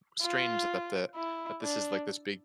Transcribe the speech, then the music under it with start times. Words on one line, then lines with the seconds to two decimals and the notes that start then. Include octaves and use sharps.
strange that the that this is, like, this big,
0.21 F4
1.15 E4
1.62 D4